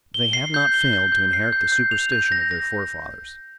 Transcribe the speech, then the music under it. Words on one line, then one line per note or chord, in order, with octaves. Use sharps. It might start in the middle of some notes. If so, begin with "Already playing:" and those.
They have not failed to inherit the superstition of their forefathers.
G7
C7
G6
G7
G6
G6
C7
G6
G6
F7
G6
A#6
A#6